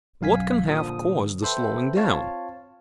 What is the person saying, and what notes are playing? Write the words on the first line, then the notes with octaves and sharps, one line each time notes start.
What can have caused the slowing down?
B1 F#2 F5 G#5 B6
A#2 D3 F3 D#6
A4 B4 C5 E5 G5
C4 F4 C#5 F5 A5